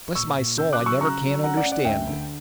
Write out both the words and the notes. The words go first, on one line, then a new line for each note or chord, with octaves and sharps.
"Bless my soul, I never can understand it!"
A#2 C#6 E6
A#2
C#3 E6 G6
D6 F#6
F#3
C#6 E6
C#3 A#5 C#6
F#3
C#4 F#5 A#5
D5 F#5
C#4
D5 F#5
D2 E5 G5
D3